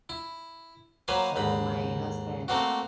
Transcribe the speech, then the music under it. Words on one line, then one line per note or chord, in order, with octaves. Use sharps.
so, my husband,
E4
F#3 A#3 C5 G#5 B5
D#2 G#2 B5
A3 A#3 C4 F#4